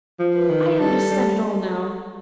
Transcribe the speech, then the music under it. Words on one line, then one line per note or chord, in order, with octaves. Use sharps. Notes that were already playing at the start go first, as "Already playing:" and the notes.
I understand it all now.
F3
B4
D#3
G3 A4
G3